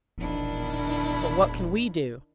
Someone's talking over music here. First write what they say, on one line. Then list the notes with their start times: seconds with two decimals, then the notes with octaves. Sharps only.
But what can we do?
0.18 E1 A#1 D#3 D4 E4